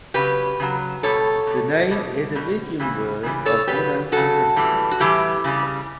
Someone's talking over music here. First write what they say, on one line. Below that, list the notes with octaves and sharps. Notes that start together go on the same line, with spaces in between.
The name is a Lydian word of unknown significance.
C#3 F#3 G4 B4
C#3 F#3
B2 G3 A4 C#5
B2 G3
B2 G3
B2 G3
C#3 E3 G3
C#3 E3 G3
A4 C#5
C#3 F#3 G4 B4
C#3 F#3 F#4 A4
A2 E3 G3
F#4
A2 E3 G3 E4 G4
C#3 G3